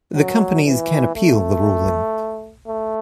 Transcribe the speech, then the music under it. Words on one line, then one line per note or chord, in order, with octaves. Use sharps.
The companies can appeal the ruling.
F#3
E3
A3
A3